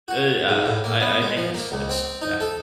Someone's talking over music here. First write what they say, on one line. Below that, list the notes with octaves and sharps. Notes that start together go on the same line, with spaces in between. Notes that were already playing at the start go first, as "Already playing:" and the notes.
Eh, uh, I I think it's it's bad.
F#4
G#2
A2
A#3
B3
G#3
F3
A#3
C#2
C4
D#4
A4